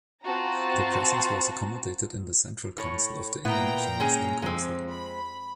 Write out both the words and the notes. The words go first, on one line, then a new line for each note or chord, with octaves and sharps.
Their presence was accommodated in the Central Council of the Indonesian Muslim Council.
C4 F4 F#4 A5 A#5
A2 C#5
A#2 B3 E4 G5 A#5
G#3 C#4 G#4
F2 G#3 C4
B5